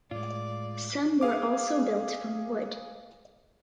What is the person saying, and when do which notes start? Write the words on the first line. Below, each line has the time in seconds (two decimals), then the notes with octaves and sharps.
Some were also built from wood.
0.11 A2 G#3 F4 D5
1.21 G#4 F5 D6